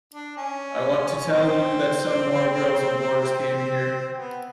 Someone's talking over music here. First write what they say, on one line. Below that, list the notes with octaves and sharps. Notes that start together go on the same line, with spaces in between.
I want to tell you that some more girls and boys came here.
D4
C#4
C4
B3